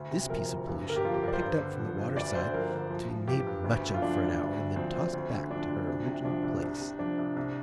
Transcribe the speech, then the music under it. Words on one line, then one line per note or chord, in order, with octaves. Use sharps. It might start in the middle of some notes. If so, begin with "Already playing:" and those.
This piece of pollution, picked up from the water-side, to be made much of for an hour, and then tossed back to her original place!'
Already playing: D2
C3
F3 A#4
D2
G2
D3 A#4
G4
F3 F4
G4
G2 A#4 D5
C5
G2
D3
F3
G2
D2 D5
D3 C5
F3 A#4
D2
F3
F3
G2 G4
G2
D2
D3
F4
F3 D4
D2
D2
D3
F3 C4
D2
D2
D3
F3 D4
D2
C2
C3
F3 D4
C2
C2
C3
F3 D4
C2
C2